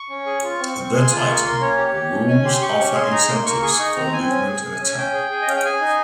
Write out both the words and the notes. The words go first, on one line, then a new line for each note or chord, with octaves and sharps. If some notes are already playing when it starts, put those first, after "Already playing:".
The "Titan" rules offer incentives for movement and attack.
Already playing: C#6
C#4
G#4
F4
C4
C4
C#6
G#4 C6
F4 D#6
A#3 C#6
A#3 C6
C#4 C#5
G4
G4
C#4
C#4 G#5
G4 C6
G4 C#6
C#4 C#6
G#4 C6
D#4 A#5
A#3 C6
A#3 C#6
G#4 C#6
D#4 C#6
C4 A#5
C4 G#5
C#4
G#4
G#4
C#4
G#5
C#4 G5
G#4
G#4
D#5
C#4 F5
G5
G#4 G#5
D#4